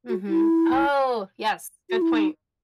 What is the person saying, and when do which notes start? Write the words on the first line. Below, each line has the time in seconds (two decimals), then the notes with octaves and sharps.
Mhm. Oh! Yes, good point.
0.09 F#4
0.28 E4
1.90 F#4
2.01 E4
2.14 D#4